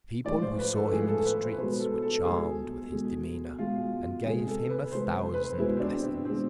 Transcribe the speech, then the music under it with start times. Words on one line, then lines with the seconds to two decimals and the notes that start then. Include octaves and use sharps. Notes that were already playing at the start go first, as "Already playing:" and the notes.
The people who saw him in the streets were charmed with his demeanour, and gave him a thousand blessings.
0.24 A2 F3 G#3 D5
0.42 C5
0.59 B4
0.75 A4
0.91 A2 F3 G#3 G#4
1.08 A4
1.25 B4
1.42 C5
1.52 B4
1.58 B2 G#3 C5
1.80 A4
2.02 A4
2.25 B2 G#3 G#4
2.92 B2 G#3
3.58 B2 G#3 F4
4.25 C3 G#3 G#4
4.48 A4
4.69 B4
4.92 C3 G#3 C5
5.25 C5
5.34 B4
5.44 C5
5.58 B2 G#3 E4
5.77 C4
5.80 D4
6.03 C4
6.25 B2 G#3 C4